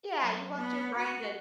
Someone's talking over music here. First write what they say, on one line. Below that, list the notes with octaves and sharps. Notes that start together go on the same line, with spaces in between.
Yeah, you want your brain to
F#3
B3
F#4